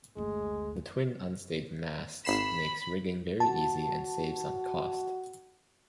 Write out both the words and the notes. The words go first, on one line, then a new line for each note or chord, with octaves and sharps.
The twin unstayed masts makes rigging very easy and saves on cost.
F#1 D2 G#3
G#1 B5 C7 E7
F#4 A5